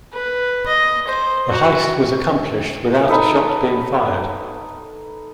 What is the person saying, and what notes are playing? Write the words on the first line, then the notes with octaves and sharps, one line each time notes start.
The heist was accomplished without a shot being fired.
B4
D#5
C5
F#4
D#4 A4 B4 B5